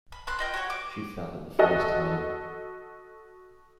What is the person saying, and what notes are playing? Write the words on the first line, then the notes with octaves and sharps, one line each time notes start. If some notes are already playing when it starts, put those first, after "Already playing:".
She fell at the first hurdle.
B5
B5 C6 F#6
F4 D#5 G5
F#4 G4 C#5 F#5
D6
F#4 A4 D#5